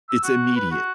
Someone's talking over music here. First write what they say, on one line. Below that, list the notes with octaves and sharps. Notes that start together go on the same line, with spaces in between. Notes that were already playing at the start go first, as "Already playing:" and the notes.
It's immediate.
E6
F#4
B4
F#4